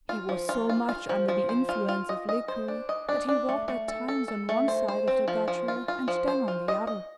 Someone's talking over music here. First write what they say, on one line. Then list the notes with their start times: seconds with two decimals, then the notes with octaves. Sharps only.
He was so much under the influence of liquor that he walked at times on one side of the gutter and then on the other.
0.09 F4
0.29 F3
0.49 F4
0.69 F4
0.89 F4
1.09 F3
1.28 F3
1.49 C5
1.69 F4
1.89 F4
2.09 D#5
2.29 D#5
2.48 C5
2.68 D4
2.89 D#5
3.09 D4
3.28 D4
3.49 A3
3.68 A3
3.88 A4
4.08 A4
4.28 A4
4.49 A3
4.68 C5
4.88 C5
5.08 C4
5.28 F3
5.48 F3
5.68 F4
5.88 F4
6.08 F3
6.28 C5
6.48 F4
6.68 D#5
6.87 D#5